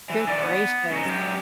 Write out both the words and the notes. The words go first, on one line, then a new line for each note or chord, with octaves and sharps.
Good gracious.
E3
D#3 D5
B3
C#3 D#4
F#2 G4